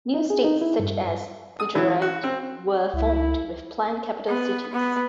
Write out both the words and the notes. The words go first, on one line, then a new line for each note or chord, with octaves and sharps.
New states such as Gujarat were formed with planned capital cities.
D#4
G#4
D#4
E4
G2
D#6
E3
F#4
C4
C#2 E4
B3
B3